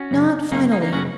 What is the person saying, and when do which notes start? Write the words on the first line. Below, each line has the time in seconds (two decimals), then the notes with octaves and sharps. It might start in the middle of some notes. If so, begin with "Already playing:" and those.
'Not finally.
Already playing: C#4 F#4
0.11 F#2 C#3
0.51 F#2 C#3 A#3 D#4
0.72 A#3 D#4
0.82 A#3 D#4
0.92 F#2 C#3 C#4 F#4